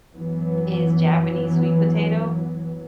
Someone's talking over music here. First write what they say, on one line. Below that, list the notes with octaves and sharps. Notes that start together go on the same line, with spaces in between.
is Japanese sweet potato.
F#2 E3 F#3 B3